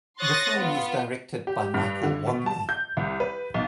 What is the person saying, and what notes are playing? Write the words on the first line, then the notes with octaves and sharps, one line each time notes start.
The film was directed by Michael Wadleigh.
C#5 C6 D#6 F#6 A6 A#6
B3 F4
G4
G2
D3
B2
A5
G6
C2
B4
B1